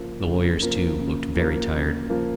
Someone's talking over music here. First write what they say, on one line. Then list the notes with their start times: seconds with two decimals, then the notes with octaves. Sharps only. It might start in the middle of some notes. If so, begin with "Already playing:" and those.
The lawyers, too, looked very tired.
Already playing: C#3 F3 A#3
0.24 C#3
0.62 F3 A#3
0.99 C#3
1.35 F3 A#3
1.73 C#3
2.10 F3 A#3